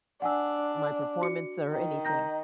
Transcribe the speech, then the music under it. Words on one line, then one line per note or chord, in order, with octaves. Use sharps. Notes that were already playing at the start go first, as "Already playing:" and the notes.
my performance or anything.
D4 F#5 G#5 E6
F#4 C#7
D#3
A#5 G6 A#6